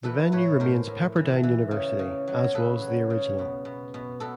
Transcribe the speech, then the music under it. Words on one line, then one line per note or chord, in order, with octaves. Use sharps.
The venue remains Pepperdine University, as was the original.
E3 A4 B4
A2 B4 C#5
A2 A#4 C5
A2
E3
E3
C#3
C#3
F#3
C#3 A4 B4
F#3
C#3
B2
B2
B2
B2 A4